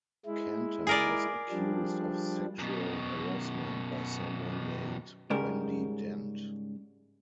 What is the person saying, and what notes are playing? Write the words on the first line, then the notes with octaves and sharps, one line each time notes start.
Canter was accused of sexual harassment by someone named Wendy Dent.
G#3 E4
G#4 A#4 D5
F3 G3 D4
F#2 B2
G#2 C#3 G3 A#4